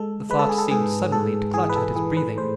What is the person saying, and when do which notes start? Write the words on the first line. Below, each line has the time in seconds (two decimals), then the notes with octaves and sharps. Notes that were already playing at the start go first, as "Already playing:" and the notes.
The thought seemed suddenly to clutch at his breathing.
Already playing: G#3 A4
0.30 G#3 B4
0.39 A4
0.49 G#4
0.58 A4
0.71 G#2 G#4
1.12 G#2 A4
1.54 E3 G#4
1.69 B4
1.75 A4
1.95 E3 G#4
2.17 B4
2.38 A2 C5